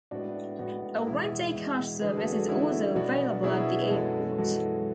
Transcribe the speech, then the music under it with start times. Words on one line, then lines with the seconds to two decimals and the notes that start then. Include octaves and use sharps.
A Rent-a-Car service is also available at the airport.
0.11 A2 G#3 B3 D4 F#4
0.59 A2 G#3 B3 D4 F#4
1.06 E2 B2 G#3 E4 G#4
1.54 E2 B2 G#3
2.01 E2 D3 G#3 G#4 B4
2.16 F#4 A4
2.32 D4 F#4
2.48 E2 D3 G#3 C#4 E4
2.96 B2 F#3 B3 D4 F#4
3.43 B2 F#3 B3 E4 G#4
3.82 B4
3.90 F#2 E3 G#3 F#4 A4
4.38 F#2 E3 G#3 F#4 A4